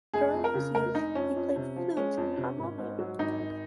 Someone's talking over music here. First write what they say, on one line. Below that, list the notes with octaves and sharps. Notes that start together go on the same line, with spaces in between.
During his youth he played flute and harmonium.
F1 G#4
F2
A#4
C#3
F1 A#4
F1 D#4
F2 C#4
F2
C3
F3
G#3 C#4
F2
C3
G#1
G#2
F#3
G#1 D#4
G#1